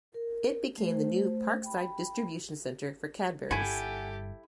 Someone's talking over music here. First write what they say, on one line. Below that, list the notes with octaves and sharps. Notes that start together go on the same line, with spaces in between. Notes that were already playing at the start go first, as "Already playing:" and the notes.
It became the new 'Parkside' distribution centre for Cadbury's.
A#4
A3 C5
G5 B5
G1 G2 E4 G4 A4 F#5 G#5